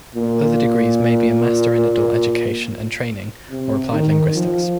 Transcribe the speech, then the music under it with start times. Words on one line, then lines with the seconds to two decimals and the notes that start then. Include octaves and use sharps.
Other degrees may be a Master in Adult Education and Training or Applied Linguistics.
0.15 A#2
3.50 C3
3.92 D#3
4.35 F3